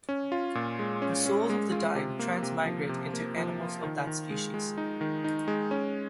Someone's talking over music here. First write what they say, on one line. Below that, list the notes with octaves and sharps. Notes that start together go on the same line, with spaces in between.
The souls of the dying transmigrate into animals of that species.
C#4
F4
A#2
G#3
C#4
C#4
G#3
F4
C3
A#3
C3
F3
C3
A#3
F3
F4
D#3
D#3
G#3
G#3
D#4
D#3
D#4
G#3
C#4